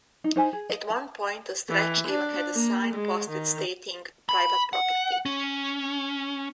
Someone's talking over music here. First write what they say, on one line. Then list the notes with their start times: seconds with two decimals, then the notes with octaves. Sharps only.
At one point a stretch even had a sign posted stating Private Property.
0.24 D#4
0.36 D#4 C5 G#5
0.53 G#4
0.70 D#5
0.90 A5
1.69 E3
2.08 D4
2.55 A#3
2.94 G#3
3.31 D#3
4.29 B5
4.73 F#5
5.26 C#4